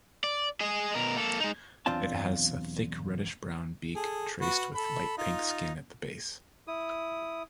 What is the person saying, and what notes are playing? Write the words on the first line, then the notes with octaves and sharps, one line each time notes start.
It has a thick reddish-brown beak, traced with light pink skin at the base.
D5
G#4 D#5
B2 A#4
A#3 A4
G#3 D#4
B1 E2 C4 D4 F4 A5
G#4 A4
F#4 B4
A4 B5
D#4 F4
E4 D#6